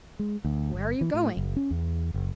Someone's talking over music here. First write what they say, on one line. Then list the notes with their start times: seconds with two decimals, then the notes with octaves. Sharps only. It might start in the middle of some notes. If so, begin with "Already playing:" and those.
"Where are you going?"
0.19 G#3
0.45 D2
0.73 G1
1.01 E3
1.14 A2
1.37 F#1
1.56 C#4
1.71 E2
2.14 F#1